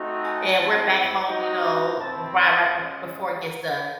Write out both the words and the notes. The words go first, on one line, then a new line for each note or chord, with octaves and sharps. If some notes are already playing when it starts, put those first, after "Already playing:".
and we're back home, you know, right right b before it dusk,
Already playing: A3 C4 D#4 F#4
G#5
C4 E4 A5
F#5
G#3 C4 D#4 F#4
C4 E4 A5
F#5
G#3 C#4